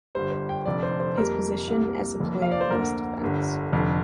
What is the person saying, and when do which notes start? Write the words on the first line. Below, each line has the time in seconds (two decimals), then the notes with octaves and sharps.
His position as a player was defence.
0.15 G1 G2 G3 C5
0.32 C5
0.49 G5
0.66 F1 F2 D3 D5
0.83 C5
1.00 C5
1.17 F1 F2 C3 G3 A#3 A#4
1.68 C2 C3 A#3
2.20 F1 F2 C3 A#3
2.42 F5
2.52 D5
2.61 C5
2.70 D2 D3 A#3 A#4
3.22 G1 G2 D3
3.72 F1 F2 D3